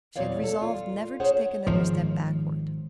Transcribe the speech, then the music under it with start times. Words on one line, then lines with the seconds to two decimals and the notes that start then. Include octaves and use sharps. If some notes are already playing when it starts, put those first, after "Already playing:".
She had resolved never to take another step backward.
0.16 E2 A#2 C4 C#5 D5 F5
0.44 A4
0.62 F4
1.20 C#4 G#4 C5 C#5 F#5
1.67 G#1 F3